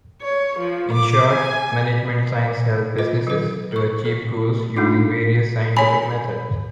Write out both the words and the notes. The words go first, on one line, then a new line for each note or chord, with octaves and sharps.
In short, management sciences help businesses to achieve goals using various scientific methods.
C#5
F3
D6
G#5
F4 B4 C5 D#5
F#3 B4
A4 C#6
A4
G#3 A3 D4 D#4 F4
C#5 G#5 B5